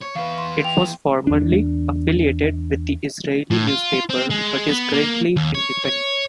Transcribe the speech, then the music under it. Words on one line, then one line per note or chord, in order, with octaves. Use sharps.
It was formerly affiliated with the Israeli newspaper, but is currently independent.
C#5 C#6
E2 B4 F5
C6
G5 F7
E2 D4
A2
F4
C4
G#3
B3
A#3
D#2
C#5
C#5